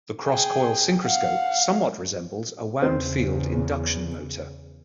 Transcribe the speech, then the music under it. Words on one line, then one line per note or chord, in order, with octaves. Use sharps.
The cross-coil synchroscope somewhat resembles a wound-field induction motor.
G#4 G5
F5 F#5
E2 C#3 C4 C5